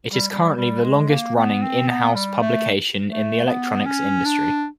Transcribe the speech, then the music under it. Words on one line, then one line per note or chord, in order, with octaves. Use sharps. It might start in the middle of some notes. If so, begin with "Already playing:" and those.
It is currently the longest-running in-house publication in the electronics industry.
G3
G3
G3
G#3
A#3
B3
C4
B3
G3
A3
A3
B3
C#4
D4